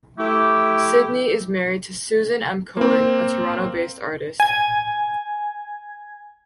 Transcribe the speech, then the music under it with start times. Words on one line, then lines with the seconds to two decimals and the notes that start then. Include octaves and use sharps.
Sidney is married to Susan M. Cohen, a Toronto-based artist.
0.19 A3 E4 G4
2.77 A#3 C4
4.40 G#5 G#6